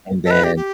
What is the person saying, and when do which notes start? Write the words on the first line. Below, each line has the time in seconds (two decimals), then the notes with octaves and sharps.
And then,
0.24 A4
0.31 B4
0.44 G4
0.56 G4